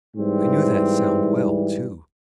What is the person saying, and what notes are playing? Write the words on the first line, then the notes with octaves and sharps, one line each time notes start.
I knew that sound well, too.
G#2 E3 G3 C4